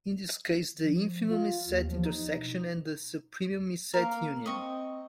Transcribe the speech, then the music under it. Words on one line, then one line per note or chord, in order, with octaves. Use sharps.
In this case, the infimum is set intersection, and the supremum is set union.
F3
F4
D#2
F3
D#4
B2
A#3 A#4 F5
C4 D#5 C#6